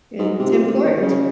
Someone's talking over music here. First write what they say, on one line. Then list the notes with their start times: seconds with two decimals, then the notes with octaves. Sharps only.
It's important
0.19 G#2
0.39 C3
0.51 A#2
0.68 C3
0.85 D#3
1.02 C#3